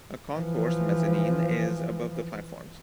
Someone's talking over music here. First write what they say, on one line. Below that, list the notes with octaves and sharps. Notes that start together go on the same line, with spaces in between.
A concourse mezzanine is above the platforms.
E3 F3